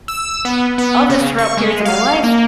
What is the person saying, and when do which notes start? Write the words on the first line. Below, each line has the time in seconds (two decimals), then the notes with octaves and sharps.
of this throughout periods of my life
0.08 E6
0.45 B3
0.78 B3
1.09 C#3
1.38 C#6
1.57 G#3
1.85 F5
2.23 A#3